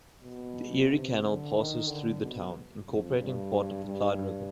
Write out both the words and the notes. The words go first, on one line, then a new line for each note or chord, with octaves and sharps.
The Erie Canal passes through the town, incorporating part of the Clyde River.
B2
C3
D3
D#3
D3
B2
F2
G2
G2